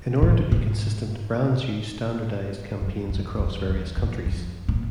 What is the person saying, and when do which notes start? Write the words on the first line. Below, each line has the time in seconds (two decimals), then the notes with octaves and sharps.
In order to be consistent brands use standardised campaigns across various countries.
0.22 A2
0.52 G#2
2.81 F#2
3.10 F#2
3.39 F2
3.68 E2
3.97 F2
4.26 F2
4.68 A#2